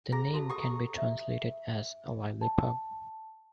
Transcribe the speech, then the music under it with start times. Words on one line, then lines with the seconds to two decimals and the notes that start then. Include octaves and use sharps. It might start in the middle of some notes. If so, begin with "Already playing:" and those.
The name can be translated as "a lively pub".
0.12 G#4 A#5
0.33 F#4 A4 A5
0.49 G4 C#6 D#6
0.98 E5
2.41 A5